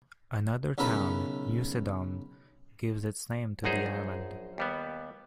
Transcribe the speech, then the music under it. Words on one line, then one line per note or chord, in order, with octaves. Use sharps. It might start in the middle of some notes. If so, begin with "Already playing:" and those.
Another town, Usedom, gives its name to the island.
B1 C#3 E4 A#4 B4
A#1 F#2 D#4 G#4 C5
D#2 G3 B3